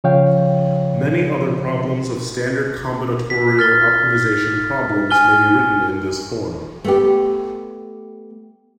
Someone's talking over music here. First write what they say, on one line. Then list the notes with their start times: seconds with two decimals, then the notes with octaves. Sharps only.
Many other problems of standard combinatorial optimization problems may be written in this form.
0.04 C#3 F3 C#5 F5 G5
3.30 B6
3.59 F6 A6 G7
5.11 G#5 F6 G7
6.84 A3 B3 G4